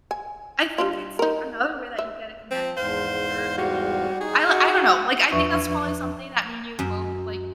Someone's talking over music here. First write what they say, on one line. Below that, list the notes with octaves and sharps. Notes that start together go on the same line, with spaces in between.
I think it's, like, another way that you get to connect with your, like, with I I don't know, like, I think that's probably something that me and you both, like
G#5
G3 D4 F4
D#4 A#4
E5
F3 C4
E2 G#2 C5 F5
G3 F#4
D#4 G#4
F#4
E2 F3 D4 B4 E5 C#6
F#2